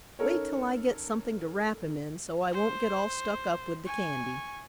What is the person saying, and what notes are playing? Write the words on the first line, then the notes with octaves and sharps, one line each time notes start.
"Wait till I get something to wrap him in so I won't get all stuck up with the candy."
C#4 D#4 A4 A#4 C#5
C5
G#5 C#6